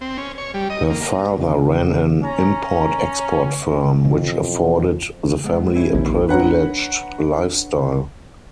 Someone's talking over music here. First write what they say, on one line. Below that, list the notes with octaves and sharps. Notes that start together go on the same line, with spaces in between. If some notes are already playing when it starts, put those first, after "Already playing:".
Her father ran an import-export firm, which afforded the family a privileged lifestyle.
C4
C#4
C#5
G3
D#5
A#3
C#3
C#4 A#5
F2 B2 E3 C#4
G#3 B3
C4 C#4 E4
A#1 D#2
D3 B4 C#5 F#5 A#5